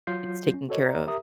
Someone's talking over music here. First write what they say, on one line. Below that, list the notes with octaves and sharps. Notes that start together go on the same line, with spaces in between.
it's taken care of."
F#3 F4 G6 C7
C#4
F#4 A4 C#5 D#5
D5 A#5
G4 A#4 E5 A#5 D#6